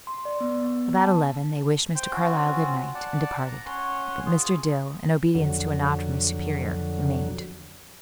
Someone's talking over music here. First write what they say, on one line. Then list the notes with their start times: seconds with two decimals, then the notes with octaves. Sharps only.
About eleven they wished Mr. Carlyle good-night, and departed, but Mr. Dill, in obedience to a nod from his superior, remained.
0.07 C6
0.25 D5
0.41 B3
0.62 B3
0.98 A5
1.95 C5 G5 C6
2.11 C4 C#4 F4 F#4
2.95 D5 F#5 A5
3.47 A#5
3.66 C#4 C#5 F#5 C6
4.26 F4 G#4
5.35 F2 D3 F#3